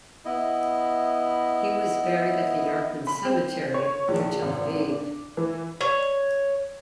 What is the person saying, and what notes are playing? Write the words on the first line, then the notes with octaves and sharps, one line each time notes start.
He was buried at the Yarkon Cemetery near Tel Aviv.
B3 E4 D#5
B5
C4
C#5
A#1
G#1
D4
E3
C#5